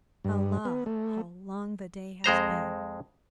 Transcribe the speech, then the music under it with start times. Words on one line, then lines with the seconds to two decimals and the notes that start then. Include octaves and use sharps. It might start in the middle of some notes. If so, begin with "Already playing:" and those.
Allah! how long the day has been....
0.25 G2
0.65 B3
0.86 A3
2.24 F2 G#3 C5 A#5